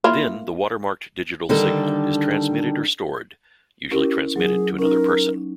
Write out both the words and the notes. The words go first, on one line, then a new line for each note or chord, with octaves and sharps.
Then the watermarked digital signal is transmitted or stored, usually transmitted to another person.
A#3 E4 F4
D3 D#3 G3 D4 A4
C#4 E4 G4 A#4
F#3 G#4
C#4 D#4 A#4